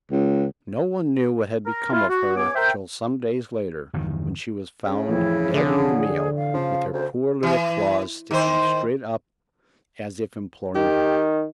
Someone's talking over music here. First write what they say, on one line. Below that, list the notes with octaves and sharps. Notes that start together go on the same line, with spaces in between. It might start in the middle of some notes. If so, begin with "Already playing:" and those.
No one knew what had become of her till some days later, when she was found dead in the meal, with her poor little claws sticking straight up as if imploring help.
C#2
A#4
E4 F4
F#4
C#2 B3 C#5 G#5 D6
A#4 C5 E5 G5
G1 E2 D3 D#3
C#3 C#4
A1 F2 E4
D3 G#4
F5
C#3 F3
D2 C5
E3
D#3 C5
D#3 G4